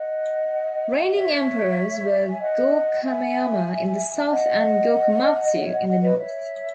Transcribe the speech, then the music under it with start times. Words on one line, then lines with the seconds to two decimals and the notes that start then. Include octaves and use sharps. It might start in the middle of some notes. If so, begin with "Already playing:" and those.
Reigning Emperors were Go-Kameyama in the south and Go-Komatsu in the north.
Already playing: D#5 F#5
1.14 C#5 E5
2.28 G#5
2.40 D#5 F#5
3.03 E5 G#5
4.28 D#5 F#5
5.55 C#5 E5
5.70 D#5 F#5
5.87 D#5 F#5
6.02 B4 D#5
6.18 C#5 E5